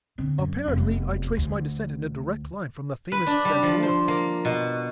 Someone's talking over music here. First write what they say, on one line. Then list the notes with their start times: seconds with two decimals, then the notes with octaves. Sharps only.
Apparently I trace my descent in a direct line from the famous Stentor.
0.18 D3 C4
0.38 F#2
0.68 F1 E2
1.37 D2
3.12 B4
3.27 D4
3.45 G3
3.63 F3
3.83 C5
4.08 A#3
4.45 B2